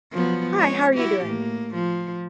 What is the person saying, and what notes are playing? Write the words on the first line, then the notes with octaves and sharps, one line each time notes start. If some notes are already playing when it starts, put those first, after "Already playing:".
Hi. How are you doing?
F3 F#3 B3
G#3 C#5
E4 F#4 G4
A2 A#3
F3